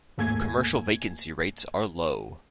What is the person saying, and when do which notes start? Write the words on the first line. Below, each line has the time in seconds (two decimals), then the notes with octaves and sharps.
Commercial vacancy rates are low.
0.18 D#2 G#2 A3 A#3 G#5 G#6